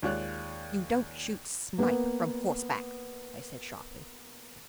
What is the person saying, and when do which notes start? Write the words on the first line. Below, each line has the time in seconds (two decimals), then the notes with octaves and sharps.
"You don't shoot snipe from horseback," I said sharply.
0.03 D#2 G#3 F4 C#5 D5 F#6
1.78 A#3 B3 B4